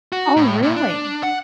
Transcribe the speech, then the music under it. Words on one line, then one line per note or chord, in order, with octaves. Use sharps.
Oh, really?
F#4
A2
A#2
D4
F#5